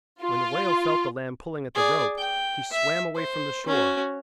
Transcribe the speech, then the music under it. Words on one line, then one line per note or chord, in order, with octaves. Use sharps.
When the whale felt the lamb pulling at the rope he swam away from the shore.
F4
G#4 D5
G5
E5
C5
C#4 F#4